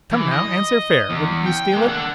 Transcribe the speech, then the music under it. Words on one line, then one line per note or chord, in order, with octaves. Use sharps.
Come, now, answer fair--wouldn't you steal it?
E3
D#5
E2
G5
G#3 A#3
D4 F#5